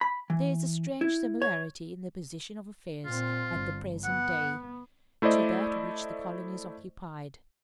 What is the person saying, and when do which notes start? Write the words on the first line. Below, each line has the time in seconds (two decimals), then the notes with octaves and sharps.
There is a strange similarity in the position of affairs at the present day to that which the colonies occupied.
0.01 B5
0.30 E3
1.01 E4
1.42 C#5
3.06 A#2 C4 F4
3.52 G1
4.05 B3 F#5
5.22 A3 E4 C5 D5 D#5